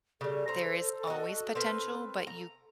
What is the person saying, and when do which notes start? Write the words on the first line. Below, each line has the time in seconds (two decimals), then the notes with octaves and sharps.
there is always potential, but you
0.21 C#3 G3 A4
0.48 C5 A#5
1.07 F#4 D#5
1.55 C4 A#4 B4
2.27 A#5